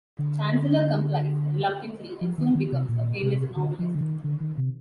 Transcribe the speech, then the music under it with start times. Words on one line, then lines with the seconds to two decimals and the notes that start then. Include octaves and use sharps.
Chancellor complies, reluctantly, and soon becomes a famous novelist.
0.19 D3
2.21 F3
2.38 D#3
2.55 D#3
2.72 C3
2.89 A#2
3.22 C3
3.56 D3
3.79 F3
3.95 D3
4.01 D#3
4.24 D3
4.40 D#3
4.58 C3